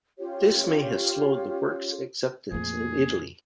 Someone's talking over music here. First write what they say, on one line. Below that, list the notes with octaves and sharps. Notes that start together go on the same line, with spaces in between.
This may have slowed the work's acceptance in Italy.
C#4 F4 G4 C#5
F2 A#2 F3 A3 A#3 G#4